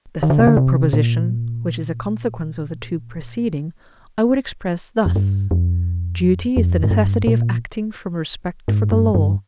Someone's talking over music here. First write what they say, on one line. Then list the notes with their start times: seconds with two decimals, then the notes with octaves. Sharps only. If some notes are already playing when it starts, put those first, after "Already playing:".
The third proposition, which is a consequence of the two preceding, I would express thus Duty is the necessity of acting from respect for the law.
0.23 D#3
0.30 D3
0.39 C3
0.47 D3
0.57 C3
0.93 A#2
5.06 F2
5.16 G2
5.51 F2
6.57 F2
6.84 G#2
6.91 G2
7.27 A#2
8.68 G#2
8.92 G2
9.15 G2